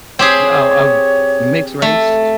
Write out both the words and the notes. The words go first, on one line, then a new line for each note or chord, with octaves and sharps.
Oh, um, mixed raced?
C4 G4 G#4 C#5
A3